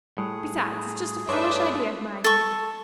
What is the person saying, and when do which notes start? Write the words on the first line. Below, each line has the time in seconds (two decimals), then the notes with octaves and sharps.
Besides it's just a foolish idea of mine, maybe.
0.18 A2 G3 G#4
1.29 G2 A3 D4 B4 C#5 E5 C6 D6
2.24 A4 C#6